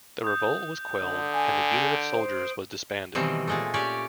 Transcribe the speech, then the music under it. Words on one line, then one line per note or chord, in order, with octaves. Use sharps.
The revolt was quelled and the unit of soldiers was disbanded.
D#6 G6
D3
G#5
D7
C5
B2 D#3 E3 G3 C4
A#2 G#3 A3
C#4 G4 C#5 D5